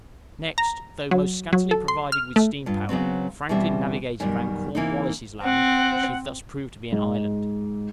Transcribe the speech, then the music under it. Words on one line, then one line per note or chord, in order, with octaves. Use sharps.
Next, though most scantily provided with steam-power, Franklin navigated round Cornwallis' Land, which he thus proved to be an island.
A#5
F#3
F#3
A4
C6
F6
A3
G2 F4
C#3 F#3 B3 C4
B2 E3 G3 C4 E5
F#2 B2 D#3 G3
E3 A#3 C4 D#4
C4 F#5
G#2